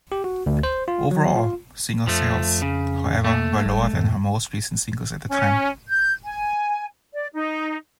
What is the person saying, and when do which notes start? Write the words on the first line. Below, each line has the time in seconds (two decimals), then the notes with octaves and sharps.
Overall single sales, however, were lower than her most recent singles at the time.
0.12 G4
0.24 F#4
0.46 D2
0.63 C5
0.88 F4
1.11 F#3
1.36 F4
2.07 F2 F3 A3
2.62 C#3
3.24 A3 A#3
3.66 F#1 G3 G#3
3.93 F2 G#2 B2 E3
5.30 C#4
5.89 G6
6.24 G#5
7.13 D5
7.34 D#4